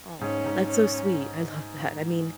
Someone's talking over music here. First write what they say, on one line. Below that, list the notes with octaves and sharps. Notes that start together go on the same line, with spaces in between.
Aw, that's so sweet. I love that. I mean,
G#2 C#4
G#2
C#4